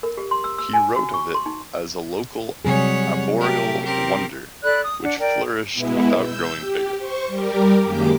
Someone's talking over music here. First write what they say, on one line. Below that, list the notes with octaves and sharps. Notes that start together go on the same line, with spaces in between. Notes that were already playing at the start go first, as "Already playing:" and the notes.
He wrote of it as a local 'arboreal wonder' which 'flourished without growing bigger'.
A#4
G4
C6
E6
E6
G#5
F#4
C#6
C6
D#4
C3 F#3 G3 G#4 C#5 F#5
A3 G4 A#4
C4 G4 A#4
A4 D5 B5 F#6
D#6
D4 F#5
A#4 D5 G5
B2 G#3 B3 E4
E6 G6
G4
C5 C#6
G3 G4 A#4
F#2 D#3 G#3 A#3 G4 D6